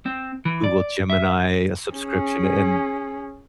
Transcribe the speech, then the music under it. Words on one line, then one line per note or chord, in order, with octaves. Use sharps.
Google Gemini subscription, and
C4
E3
D5
E5
C#4 G#4